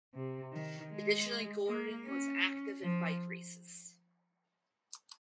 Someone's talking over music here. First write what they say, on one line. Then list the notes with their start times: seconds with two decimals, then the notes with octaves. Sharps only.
Additionally Gordon was active in bike races.
0.14 C3
0.53 D#3
0.91 G#3
1.67 A#3
2.06 C#4
2.82 F3